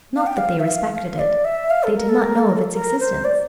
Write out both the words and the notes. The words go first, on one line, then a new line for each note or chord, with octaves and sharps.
Not that they respected it; they did not know of its existence.
F5
G5
F5
E5
F5
F5
D5
E5
F5
A4
A#4
A4
A#4
A4
A#4
A4
A#4
C5
D5